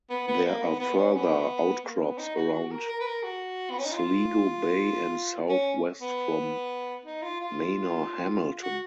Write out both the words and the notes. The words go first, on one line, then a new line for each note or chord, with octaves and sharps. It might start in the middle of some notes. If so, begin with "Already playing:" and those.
There are further outcrops around Sligo Bay and southwest from Manorhamilton.
B3
B3
A#3
B3
B3
C#4
B3
A#3
B3
D#4
F#4
F#4
A#4
A#4
B4
A#4
F#4
B3
C#4
D#4
F4
C#4
B3
D#4
F4
F4
F#4